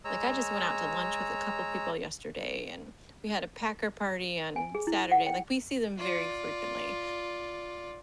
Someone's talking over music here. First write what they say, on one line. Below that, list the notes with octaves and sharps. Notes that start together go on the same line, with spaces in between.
like, I just went out to lunch with a couple people yesterday and we had a packer party on Saturday, like we see them very frequently,
G#3 C#5 A#5 E6
G#5
G#4
E4
F#5
G5
F4 D5